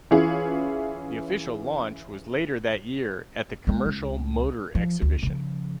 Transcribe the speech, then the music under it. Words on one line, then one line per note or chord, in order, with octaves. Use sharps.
The official launch was later that year at the Commercial Motor Exhibition.
E3 C#4 E4 F4 G#4
G#3 B3
C#2
F3
D2
C#3 F3